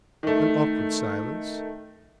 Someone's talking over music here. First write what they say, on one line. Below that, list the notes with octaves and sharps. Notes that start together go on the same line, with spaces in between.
An awkward silence.
D#3 A3